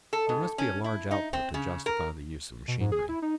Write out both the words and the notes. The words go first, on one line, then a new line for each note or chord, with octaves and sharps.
There must be a large output to justify the use of machinery.
A4
G#2
C#4
E4
D#4
C4
C#3
A#4
B2
G#2
G#4
E4
D#4